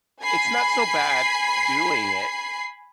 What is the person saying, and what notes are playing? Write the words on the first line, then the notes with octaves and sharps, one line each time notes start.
it's not so bad doing it,
G#5 B5 C7